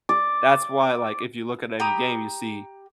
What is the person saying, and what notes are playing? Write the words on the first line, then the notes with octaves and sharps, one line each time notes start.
That's why, like, if you look at any game, you see
D5
G4 A#5 B5 D#6